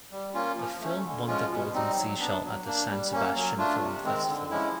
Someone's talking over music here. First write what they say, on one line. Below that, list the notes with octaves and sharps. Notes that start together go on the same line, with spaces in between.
The film won the Golden Seashell at the San Sebastian Film Festival.
G3
A#3 C#4 F4
F3
A3 C#4
D3
F3 G#3 C#4 F4
B2
G3 C4 D#4
F#3
B3 D4
F#3
A#3 D4
G3
A#3 C#4
F#3
A3 D4 F4
C3
D#3 G#3 C4
D3
F3 G#3 C#4 E4